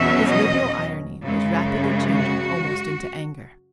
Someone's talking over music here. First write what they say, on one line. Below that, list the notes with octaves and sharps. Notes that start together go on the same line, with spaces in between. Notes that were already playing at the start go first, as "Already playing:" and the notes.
His liberal irony was rapidly changing almost into anger.
Already playing: E2 B2 F#3 C#4 E5
D#5
F#2 C#3 G#3
F#4